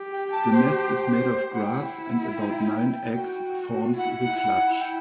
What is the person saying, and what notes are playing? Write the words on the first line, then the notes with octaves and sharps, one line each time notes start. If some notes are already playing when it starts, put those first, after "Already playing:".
The nest is made of grass and about nine eggs forms the clutch.
Already playing: G4
G5
G5
A5
C5
E4 F#5
G5
F#5
G5
F#4
E4 F#5
G5